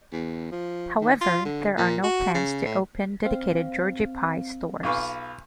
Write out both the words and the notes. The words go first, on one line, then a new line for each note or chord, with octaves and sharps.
However, there are no plans to open dedicated Georgie Pie stores.
E2
F3
D#3
F4
D3
A#2
F#4
C#3
A2
C4 F5
B1 F4 B4 G#5 C#6 D6